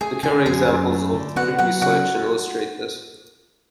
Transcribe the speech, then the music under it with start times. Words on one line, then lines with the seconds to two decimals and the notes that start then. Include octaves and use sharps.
The Curry examples of the previous section illustrate this.
0.01 A3 G#4 G#5
0.23 D3 G#4 G#5
0.46 F#2 G#4 G#5
0.69 F#2
0.91 A3
1.14 D3
1.36 B3 F#4 F#5
1.58 F#3 F#4 F#5
1.82 C#3 F#4 F#5